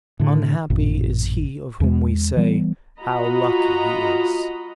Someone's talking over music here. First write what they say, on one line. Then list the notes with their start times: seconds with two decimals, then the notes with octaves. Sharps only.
Unhappy is he of whom we say, how lucky he is!
0.20 A2 D3
0.70 A1 F#2 A#2
1.80 E2 G#3
2.37 E3 G3 B3
3.00 F4 F#4 D#5 A#5 B5